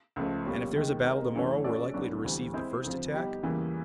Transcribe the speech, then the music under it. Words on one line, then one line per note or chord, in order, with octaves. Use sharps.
"And if there's a battle to-morrow we're likely to receive the first attack?"
C#2 C#3 F3 A3
B2 G3 A#3 C#4
D#2 D#3 G#3
G#3 C4 D#4 G4 A#4
F#2 C#3 E3 A3 C#4
G#3 C#4 F#4 A4 D5
C2 B2 F#3 B3 D4
D2 C3 E3 G3 C4
G#3 C4 E4 G#4 C5
D2 C3 F3
G3 B3 D#4 G4
E2 C#3 E3 G3 A#3